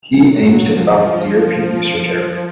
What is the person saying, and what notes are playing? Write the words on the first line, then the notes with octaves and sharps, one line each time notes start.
He aims to develop the European Research Area.
F#3
F3